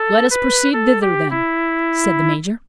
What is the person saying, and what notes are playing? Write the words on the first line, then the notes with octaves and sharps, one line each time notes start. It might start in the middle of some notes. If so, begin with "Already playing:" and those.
"Let us proceed thither, then," said the major.
Already playing: A4
B4
A4
G4
E4